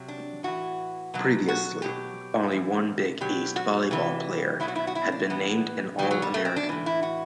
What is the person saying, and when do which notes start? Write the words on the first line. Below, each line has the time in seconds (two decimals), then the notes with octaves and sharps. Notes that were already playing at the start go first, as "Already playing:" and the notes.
Previously only one Big East volleyball player had been named an All-American.
Already playing: C3 F#3
0.08 D4
0.43 A2 E3 F#4
1.14 B2 F#3
1.48 F#4
1.82 B2 F#3 G4
2.52 A2 E3
3.21 B2 F#3 G4
3.56 F#4
3.91 C3 E3
4.60 B2 F#3 E4
4.68 F#4
4.76 E4
4.87 F#4
4.95 E4
5.12 D4
5.30 A2 E3 B3
5.99 B2 F#3 G3
6.11 F#3
6.22 G3
6.34 A3
6.45 C4
6.56 D4
6.69 A2 E3
6.86 E4
7.03 F#4